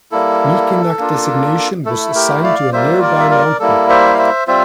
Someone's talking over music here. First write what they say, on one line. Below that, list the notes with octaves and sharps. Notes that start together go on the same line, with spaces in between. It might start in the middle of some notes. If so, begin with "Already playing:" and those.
Mikinak designation was assigned to a nearby mountain.
G3 A#3 E4 A4
A#3 D4 F4
A3 E4 A4
G4 A#4
D5 F5
G3 A#3 F4 C5 E5
A#4 D5
E5
A#4 D5
G3 A#3 E4 A4
C5 E5
F5
C5 E5
G3 C4 F4 C5 E5